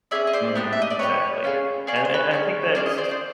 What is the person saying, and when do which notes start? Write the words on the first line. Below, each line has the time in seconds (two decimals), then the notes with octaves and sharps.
Mhm, exactly, and and I think that's
0.11 C#4 F4 G#4 D5 E5
0.27 D#5
0.33 C5 D5
0.55 B3 D4 G4
0.73 E5
0.82 D#5
0.90 D5
0.99 B3 D4 G4 B4 C#5
1.44 C#4 F4 G#4
1.87 C#4 F4 G#4 D5
1.96 C#5
2.05 C5
2.14 B4 C#5
2.31 C#4 F4 G#4
2.75 C#4 F4 G#4 D5
2.86 D#5
2.98 C5 D5
3.11 C5